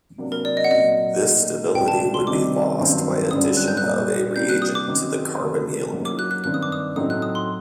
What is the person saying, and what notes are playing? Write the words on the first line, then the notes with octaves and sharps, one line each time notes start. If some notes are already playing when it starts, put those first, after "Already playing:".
This stability would be lost by addition of a reagent to the carbonyl group.
C3 F#3 A#3 D4
A#4
D5
D#5
F#5
A#2 F#3 C4 D#5
A#2 A3 D#4
C2 A#2 G3 A#3 G5
A5
C6
C3 D#3 G3 C4 D#4 D6
G2 D#3 F#3 C4
F#2 D3 G3 C4 D#6
F#6
G6
F#6
A#2 G3 A#3
C3 G3 A#3 D4 G6
F#6
D#6
D6
F#2 D#3 F#3 C4 D#4
C3 D#3 A3
F#2 F#3 A#3 D#4
D6
F#6
F#6
G2 D#3 G3 C4 F#6
D#6
D6
D#6
A2 F#3 A3 C4 D#4 D#6
F#6
D#6
C6